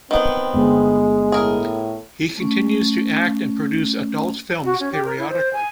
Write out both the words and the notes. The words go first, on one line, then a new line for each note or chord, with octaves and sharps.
He continues to act and produce adult films periodically.
D#3 B3 C4
G1 G#3
A2 G#4 A#4
A3 C#4
F#4
C#4
G4
A#4
E4
C5
G#5